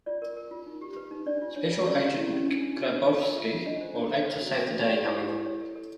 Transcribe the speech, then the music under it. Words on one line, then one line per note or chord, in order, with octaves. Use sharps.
Special Agent Grabowsky will act to save the day, however.
F4 D5
A#4
A#4
F4
D#4
G4
B4
D#4
D4 D5
F4
D4 C#5
F4
C#4 D5
G4
E4
C#4
D4
D4
F#4
D4
F4 F5
A#4
F4 E5
F4
D4 D#5
C5
D4
C5
B4
F#4
F#4
F#4
G4 D5
E4
G4
E4
C#5
A4
A4